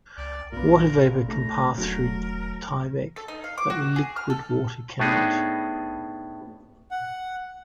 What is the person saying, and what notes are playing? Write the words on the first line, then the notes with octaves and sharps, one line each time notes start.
Water vapor can pass through Tyvek, but liquid water cannot.
C#2 D5
A#1 A#2 B3 A#4
G#1
A3 A#5
E1 F#3 A3 A#4
A4
D#4
F5
D6
F#4
G#4
F6
A4
A2 A3 B3 D4 D#4 G#4
F#5